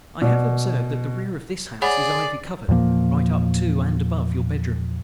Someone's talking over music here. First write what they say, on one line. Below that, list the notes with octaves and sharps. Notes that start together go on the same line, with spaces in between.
I have observed that the rear of this house is ivy-covered right up to and above your bedroom.
B2 D5
G#4 C#5 D5 F#5 B5
E2 A#2 F3 A#3